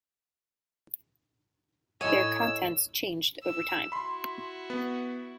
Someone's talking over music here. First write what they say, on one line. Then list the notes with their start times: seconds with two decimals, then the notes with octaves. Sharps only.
Their contents changed over time.
2.01 A2 C#5 D#5 G#5 E6
3.43 E6
3.92 E4 F#4 B5 C6
4.70 B3